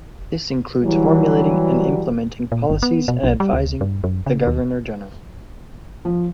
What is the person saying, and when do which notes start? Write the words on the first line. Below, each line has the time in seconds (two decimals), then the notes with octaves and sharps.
This includes formulating and implementing policies and advising the Governor-General.
0.83 E3 F#3 G3
2.52 A#2
2.70 G1
2.83 B3
3.08 B2
3.23 B1
3.40 G3
3.53 D2
3.81 G2
4.04 F#2
4.26 C#3
4.47 D#2
6.05 F3